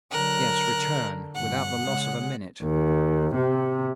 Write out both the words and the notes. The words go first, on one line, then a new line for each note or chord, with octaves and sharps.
"Yes, return, without the loss of a minute."
D3 F#3 A#4 F#6
D3
G1 F#5
C#3 G#3
D#2
C3